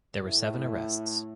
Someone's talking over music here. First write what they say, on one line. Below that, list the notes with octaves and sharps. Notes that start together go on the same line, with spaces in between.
There were seven arrests.
A2